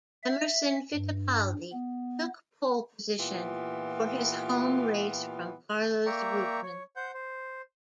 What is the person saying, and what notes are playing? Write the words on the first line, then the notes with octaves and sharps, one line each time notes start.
Emerson Fittipaldi took pole position for his home race from Carlos Reutemann.
E5
G2
B3
A#2 E3 B3 F4 G4
A#3 D5 E5 G5 A#5 C#6
C#5
C5 F#5 G6
C5